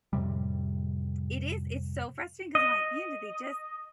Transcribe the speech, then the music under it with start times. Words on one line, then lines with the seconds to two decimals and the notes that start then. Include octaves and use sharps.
it is, it's so frustrating, 'cause I'm like, "Man, did they just,
0.13 F2 A2 C3 G3
2.55 D#5